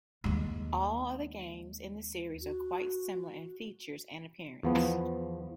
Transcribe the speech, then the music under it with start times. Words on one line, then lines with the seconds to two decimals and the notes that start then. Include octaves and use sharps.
All of the games in the series are quite similar in features and appearance.
0.24 D#2 G#3
2.40 F#4
4.63 E2 F3 B3